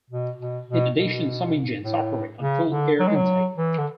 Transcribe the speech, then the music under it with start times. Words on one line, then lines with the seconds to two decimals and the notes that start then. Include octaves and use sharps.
In addition some engines operate on full air intake.
0.10 B2
0.39 B2
0.68 B2
0.97 B2
1.83 A2
2.42 C#3
2.71 D3
2.99 F#3
3.07 G#3
3.15 F#3
3.57 E3
3.78 D3